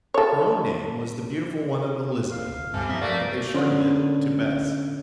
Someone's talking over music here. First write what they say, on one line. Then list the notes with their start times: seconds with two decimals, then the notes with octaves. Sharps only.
Her own name was the beautiful one of Elizabeth, but they shortened it to Bess.
0.14 A4 C#5
2.32 F5
2.49 D1
2.74 G2 B2 A4
2.89 F3 F#3 C4 D#4 E5
3.01 A3 A#3 F#4 D5
3.54 D3 B3 C#4